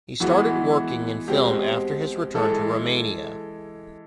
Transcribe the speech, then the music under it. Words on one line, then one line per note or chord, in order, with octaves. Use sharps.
He started working in film after his return to Romania.
E3 G#3 B3 F#4
B2 G#3 C4 G4
E3 G#3 A4